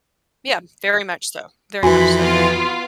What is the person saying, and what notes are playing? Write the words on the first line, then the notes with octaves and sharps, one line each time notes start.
Yeah, very much so, very much so, yeah
F2 E3 F#4 G#5 B5
B3 F4